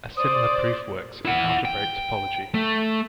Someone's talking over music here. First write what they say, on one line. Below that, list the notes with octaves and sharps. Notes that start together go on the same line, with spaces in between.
A similar proof works in algebraic topology.
C5 D5 D#6
E4 F#5
G5
A3